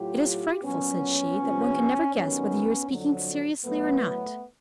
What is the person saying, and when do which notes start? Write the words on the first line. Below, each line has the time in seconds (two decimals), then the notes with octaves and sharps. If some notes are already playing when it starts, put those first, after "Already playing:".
"It is frightful," said she, "that one can never guess whether you are speaking seriously or not."
Already playing: A2 F#3 F4 G4
0.63 A#2 F#3 B3 C#4
1.38 F2 C3 F3
2.13 G2 D#3 F#3 B3 C#4
2.89 F2 D3 F#3
3.64 A2 F#3 A3 B3